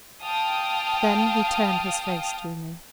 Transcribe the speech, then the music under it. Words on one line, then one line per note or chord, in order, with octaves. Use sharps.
Then he turned his face to me.
F5 G5 A5 D#6 F6